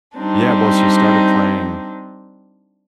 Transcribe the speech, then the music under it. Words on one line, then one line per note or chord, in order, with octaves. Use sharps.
Yeah, well, she started playing
G3 C4 D4 D#4